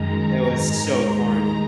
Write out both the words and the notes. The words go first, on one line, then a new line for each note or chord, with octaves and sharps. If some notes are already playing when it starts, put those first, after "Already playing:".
It was so corny.
Already playing: F#2 D#3 G#3 A#5
G#2 D#3 G#3
D#2 D#3 G#3 A#5